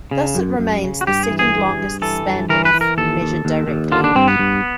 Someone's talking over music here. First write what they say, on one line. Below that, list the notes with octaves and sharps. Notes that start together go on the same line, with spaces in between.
Thus it remains the second longest span width, measured directly.
C#3
F#2
F#2
C#3
F#4
G2 G4
G#4
E3
G#4
G2
G2
E3 A4
G2
E3 A#4
B4
E3
A#4
D#2 A4
D#2
D#2
D#2
D3 F4
D4
G2 C4
B3
G2